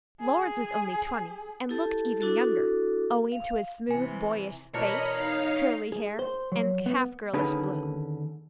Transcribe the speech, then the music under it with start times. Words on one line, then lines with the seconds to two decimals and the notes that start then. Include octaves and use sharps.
Lawrence was only twenty, and looked even younger, owing to his smooth, boyish face, curly hair, and half-girlish bloom.
0.20 G#4
1.69 E4 G4 A4 A5
2.21 D4 E4 F#4 A4
3.32 F5
3.91 C3 E3 G#5
4.74 B2 E3 D4 A#4 C#5 D#5 B5
5.10 D#4 F5 C7
5.92 G#4
6.19 C5
6.52 F#3
6.86 B3
7.34 D#2 D3 D#3 C#4 G#4 B4